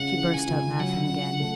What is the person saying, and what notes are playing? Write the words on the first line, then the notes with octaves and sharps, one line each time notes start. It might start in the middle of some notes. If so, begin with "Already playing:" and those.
She burst out laughing again.
Already playing: C#2 C#3 G#3 F#5
E3
G#5
C#2
F#3 F#5
C#2
A3